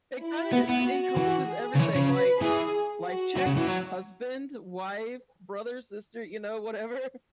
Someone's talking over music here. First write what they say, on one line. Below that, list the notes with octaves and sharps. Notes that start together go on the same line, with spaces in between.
It kinda just encompasses everything, like, life check, husband, wife, brother, sister, you know, whatever.
E4
B3
B3
F#4
E3
G#4
C#3
E3 C#5
C#3
B4
E3 G#4
F#4
F#3
C#3
E3
F#3